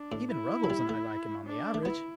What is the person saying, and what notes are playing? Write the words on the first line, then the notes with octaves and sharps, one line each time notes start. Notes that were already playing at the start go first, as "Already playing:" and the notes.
Even Ruggles and I like him on the average.
Already playing: D4
A2
E4
F#3
G3
A3
D4
A3
B3 E4